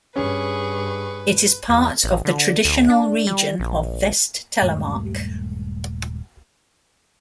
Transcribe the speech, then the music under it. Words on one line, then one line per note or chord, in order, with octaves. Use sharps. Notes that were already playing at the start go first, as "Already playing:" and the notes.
It is part of the traditional region of Vest-Telemark.
G2 C#4 G#4 B4 C#6
E2
A1
D3
D2
D4
G3
A#1
D#1 G2 G#3 A3